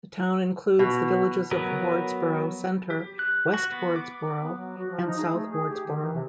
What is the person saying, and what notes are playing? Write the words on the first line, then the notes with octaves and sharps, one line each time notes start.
The town includes the villages of Wardsboro Center, West Wardsboro and South Wardsboro.
B2
F#3 B3 A#4 B4
G4
F#6
F#4
B3
D6
B3
F#3
F#4
F3
D#4
G#4
A3
G#4
G4
D#3
E3
C3